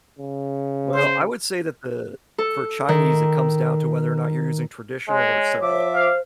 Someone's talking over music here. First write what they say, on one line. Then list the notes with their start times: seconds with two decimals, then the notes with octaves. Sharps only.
Well, I would say that the for Chinese, it comes down to whether or not you're using traditional or simple.
0.19 C#3
0.93 C5
2.38 A4
2.89 D#3
5.08 G#3 C#5
5.61 F3 E5 D6
5.93 C5 F5